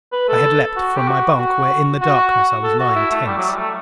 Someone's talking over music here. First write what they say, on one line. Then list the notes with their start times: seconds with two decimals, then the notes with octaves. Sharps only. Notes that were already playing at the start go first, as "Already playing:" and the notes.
I had leaped from my bunk where in the darkness I was lying tense.
0.13 B4
0.29 A4
0.76 F#4
0.97 G4
1.08 F#4
1.39 F#4
2.02 F#4
2.64 A4
2.80 F#4
2.96 E4
3.12 A3
3.26 G3
3.38 F#3
3.48 G3
3.58 A3